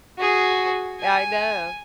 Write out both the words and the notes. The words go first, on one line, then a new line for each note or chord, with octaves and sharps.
I know.
F#4 G#4
G#5